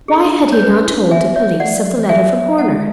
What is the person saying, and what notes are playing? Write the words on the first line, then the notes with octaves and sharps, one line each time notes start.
Why had he not told the police of the letter from Horner?
G#4
D4 A4
C#5
C#4 B4
E4
D4
C#4
B3 E5 G#5
C#5 E5
A3 D5 F#5
F#3
E3
F#3 E5 G#5
G#3 F#5 A5